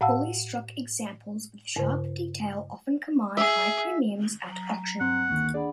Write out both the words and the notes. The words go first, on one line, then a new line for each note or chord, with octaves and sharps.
Fully struck examples with sharp detail often command high premiums at auction.
A2 F5 F#5 A5 E6
G2 C#3 C5
G#4 E5
F#3 A#5
G2 C4 F#5 C6
G1 D2 D#3 A#3 C#6
D4 G#4 D5 F#5 B5